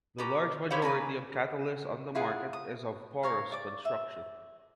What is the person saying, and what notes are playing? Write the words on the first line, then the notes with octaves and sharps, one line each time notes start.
The large majority of catalyst on the market is of porous construction.
B2 G4 A#4
E4 G4 C5 C#5 F5
C#3 A#3 B4 G#5
E4 F4 G#4 F#5
D#6
A#4 C#5 F5
D5 D6
E5